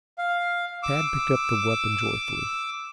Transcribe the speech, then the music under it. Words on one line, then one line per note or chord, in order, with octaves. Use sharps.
Tad picked up the weapon joyfully.
F5
D6 E6